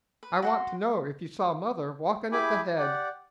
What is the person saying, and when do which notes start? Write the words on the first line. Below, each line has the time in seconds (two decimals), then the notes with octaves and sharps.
I want to know if you saw mother walkin' at the head!
0.23 B4
0.42 F#4 F#5 C6
2.32 E4 G4 G#4 G#5 B5 D6
2.78 G4 D5 F#5